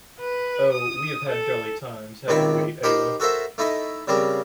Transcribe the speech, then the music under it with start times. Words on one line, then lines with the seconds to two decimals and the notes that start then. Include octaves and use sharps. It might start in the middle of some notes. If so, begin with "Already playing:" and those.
Oh, we have had jolly times, haven’t we, Ayla?
0.20 B4
0.72 D#6
1.29 A4
2.28 C#2 C3 D#3 C4 B5 C#6
2.83 D#4 G4 A#4 C5 B5 C6
3.20 F#4 A4 A#4 C5 E5
3.58 A3 D#4 E4 D#5
4.07 C#3 G3 C4 A#4